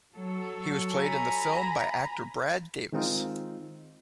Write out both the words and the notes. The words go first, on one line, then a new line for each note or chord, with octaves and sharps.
He was played in the film by actor Brad Davis.
F#3 A4 C#5
G#5 A#5 B5
D#3 G#3 C4 D#4 F4